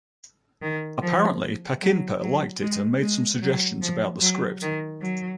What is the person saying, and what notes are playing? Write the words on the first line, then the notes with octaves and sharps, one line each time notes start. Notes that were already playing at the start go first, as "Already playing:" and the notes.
Apparently, Peckinpah liked it and made some suggestions about the script.
D#3
F3
F#3
F#3
G#3
G#3
F#3
F3
F#3
D#3
F#3